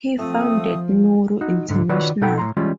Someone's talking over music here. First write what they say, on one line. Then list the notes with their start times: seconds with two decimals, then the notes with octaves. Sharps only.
He founded Nuru International.
0.19 F3 A3 C4 D#6
1.41 D#4 F#4
1.68 C2 G#2 D3
1.89 D#3 F4 F#4 B4 C#5 D5
2.21 B2 D#4 A4 F#5 G5 B5
2.38 A2 A#5 C6
2.57 E3 G3 G#3 C#4 F4